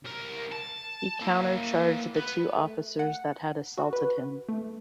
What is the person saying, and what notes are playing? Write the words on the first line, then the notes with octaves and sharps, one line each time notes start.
He counter-charged the two officers that had assaulted him.
C2 A#4
A5
A#3 E4
B3 B4
A3
F#5
F#4
B4
A3